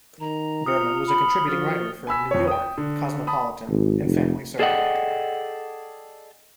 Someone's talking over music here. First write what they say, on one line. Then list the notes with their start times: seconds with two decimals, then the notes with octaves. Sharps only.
Berman was a contributing writer for "New York", "Cosmopolitan" and "Family Circle".
0.20 D#3 A#5
0.66 F4 D#6 F6 C#7
1.06 B5
1.48 F3 F#4 F6 A6
2.07 G#5 B5 E6 B6
2.31 F2 C#5
2.47 G5 D#6
2.78 D3
3.27 A5 B5 D#6
3.69 G#1
4.03 F1
4.59 G#4 A4 D5 D#5 F#5 G5